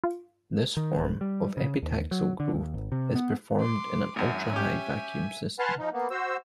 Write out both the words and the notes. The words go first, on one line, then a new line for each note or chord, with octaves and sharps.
This form of epitaxial growth is performed in an ultrahigh vacuum system.
F4
D#3
D1
G3
C#3
D#2
F#3
D3
D#2
G#1
C3
B3
C6 D6
G#1 F#2 E5 G#5
C#4 G4
B4 F#5 G#5 A5 C6 F6
F3 D#4
A#3 B3
F#4 C5 E6